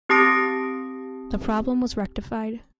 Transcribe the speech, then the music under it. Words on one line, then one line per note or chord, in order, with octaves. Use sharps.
The problem was rectified.
C4 G4 A5 D#6 A#6 D7